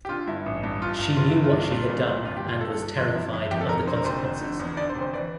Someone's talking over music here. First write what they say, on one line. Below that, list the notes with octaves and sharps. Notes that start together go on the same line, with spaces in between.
She knew what she had done and was terrified of the consequences.
G4
D3 F4
G2 E4
A1
G2
G1 F4
G1
E3 F4
E4
G1
F4
C2
A#2
C2
A#2
G2 F4
G4
G1 F4
G2 A4
G1
F2 F4
F2 E4
G1 E4
F2 G4
A4
F2 A#4
D3 C5
A#4
F1 C5
F1
D3
E2
D3 D5
C5
F1
C5
E3 D5